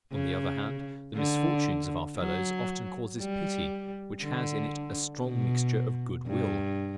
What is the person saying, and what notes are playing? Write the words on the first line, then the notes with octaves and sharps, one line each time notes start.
On the other hand, the misfortunes of our fellows often cause pity, which has in it a strong mixture of good-will.
C#3
D3
F#3
G3
D3
B2
G2